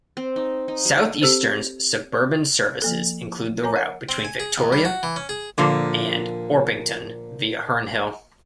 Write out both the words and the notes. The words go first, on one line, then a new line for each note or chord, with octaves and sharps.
Southeastern's suburban services include the route between Victoria and Orpington via Herne Hill.
C4
D#4
D#4
G3
C4 G4 A4 C5
F3 A#3 A4
A#4 C#5 G#5 A#5 D6
F#5
C4
G#5
G#4
D#2
G3
F#4
E3
C#4
G#4
A#2 D3 F3 A#3